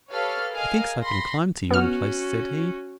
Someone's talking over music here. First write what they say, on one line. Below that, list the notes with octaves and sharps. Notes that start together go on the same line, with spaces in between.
"Methinks I can climb to yon place," said he.
G4 A4 B4 C#5 F5 F6
G#4 A#4 D#5 F5 G#5 F6
B5 C6 A#6
B3 C#4 F#4 F6